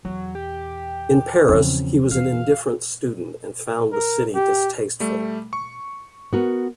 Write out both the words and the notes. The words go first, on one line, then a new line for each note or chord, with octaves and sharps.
In Paris, he was an indifferent student and found the city distasteful.
E2 F#3
G4
E2 C#3 F3 C4 C#4
E2 F5
A#4
G4
G3 A3
C#6
B3 F#4 A#4